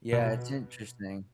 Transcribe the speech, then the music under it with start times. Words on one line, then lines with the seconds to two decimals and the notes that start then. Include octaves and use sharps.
Yeah, it's interesting.
0.12 B2